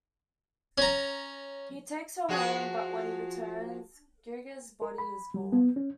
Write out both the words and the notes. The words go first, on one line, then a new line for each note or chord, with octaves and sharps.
He takes her home but when he returns, Geiger's body is gone.
C#4 A#5
F3 F#4 G#4
A#4
B5
G3
B3
C#4